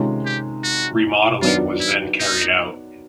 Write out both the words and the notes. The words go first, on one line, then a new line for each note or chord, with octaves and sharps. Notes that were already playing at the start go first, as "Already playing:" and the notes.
Remodelling was then carried out.
Already playing: C3 D#3 G#3 C#4 F4
G4
F#4
D#3 F#3 B3 D4 F4
E4
D#4